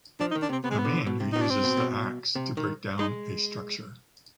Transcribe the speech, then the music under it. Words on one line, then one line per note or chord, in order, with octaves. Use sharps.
A man who uses the ax to break down a structure.
F3 D4
D#4
D#3
D4
C3 C4
C3 B3
G#3
B3
D3
B2
C3
B2 D#4
D4
C4
B2
B2
C3
D#3
G#3 D#4